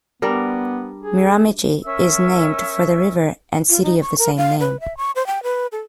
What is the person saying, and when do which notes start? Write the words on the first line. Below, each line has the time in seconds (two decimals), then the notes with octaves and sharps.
Miramichi is named for the river and city of the same name.
0.22 G3 B3 D4 A#4
1.03 G#4
1.84 C#4 A#4 E5 E6
3.70 F4
3.83 D#4
4.01 C#6
4.18 A#4
4.37 F5
4.60 B4
4.80 E5
4.97 C#6
5.16 C5
5.27 G5
5.43 B4
5.72 A4